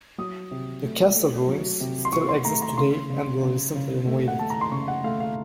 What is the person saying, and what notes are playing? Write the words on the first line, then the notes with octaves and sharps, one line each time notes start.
The castle ruins still exist today and were recently renovated.
F#3 D#6
C3
A3
A3
F#3
C3
C6
C3 C#6
C6
A3 A#5
A#5
C#3 C6
C#3
C#3
C#3
A3
F#5
A3 A5
A#5
C6
C#3 C#6
F#5
A3 F5
F5